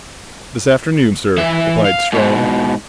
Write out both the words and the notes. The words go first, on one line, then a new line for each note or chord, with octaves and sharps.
"This afternoon, sir," replied Strong.
E3 E5
F5
G#2 B2